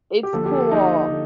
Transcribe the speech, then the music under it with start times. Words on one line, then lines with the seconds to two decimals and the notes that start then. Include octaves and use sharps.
It's cool.
0.23 G4
0.33 D3 F3 A#3 A4
0.45 G4
0.53 A4
0.71 D3 F3 A#3 D#4
1.10 D3